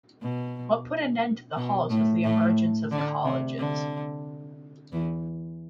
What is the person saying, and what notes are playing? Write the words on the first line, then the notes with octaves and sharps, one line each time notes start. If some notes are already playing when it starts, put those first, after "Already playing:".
What put an end to the halls was the emergence of colleges.
B2
B2
A2 A3
A2 A3
D3
C3
D3
E2 E3